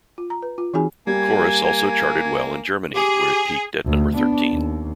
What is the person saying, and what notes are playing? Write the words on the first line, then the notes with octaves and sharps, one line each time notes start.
"Chorus" also charted well in Germany, where it peaked at number thirteen.
F4
A#5
B4
F4
E3 C4 D#4 F#4 G#4 G#5
G3 A#3 G#5 G#6
G4 G#4
D2
B3 D4
D#2